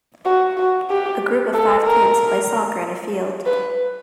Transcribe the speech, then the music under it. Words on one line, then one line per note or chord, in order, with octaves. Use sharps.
A group of five kids play soccer in a field.
F#4
F#4
G4
A4
A#4
B4